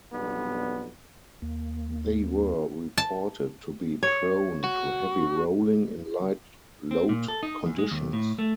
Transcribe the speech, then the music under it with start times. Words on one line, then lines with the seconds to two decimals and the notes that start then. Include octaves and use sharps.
They were reported to be prone to heavy rolling in light load conditions.
0.12 B1 F2 G3 B3 D4
1.42 D#2 A#3
2.98 A5
4.03 C#5
4.64 F#4
6.91 C4
7.09 A#2
7.28 A4
7.43 D#4
7.66 E2
7.78 G#3
7.91 D#2
8.13 A2
8.39 A3